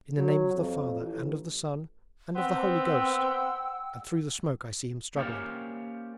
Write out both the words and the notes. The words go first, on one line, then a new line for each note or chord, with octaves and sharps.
"In the name of the Father and of the Son and of the Holy Ghost"... and through the smoke I see him struggling.
F#3
F2
A1
B3 C4 C5 F#5 G5 E6
A#3 C#4 G4 C5 D5 F5